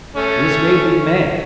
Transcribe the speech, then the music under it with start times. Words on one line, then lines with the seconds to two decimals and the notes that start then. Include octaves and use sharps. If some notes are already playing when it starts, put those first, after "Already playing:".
This made me mad.
0.16 A3 C#4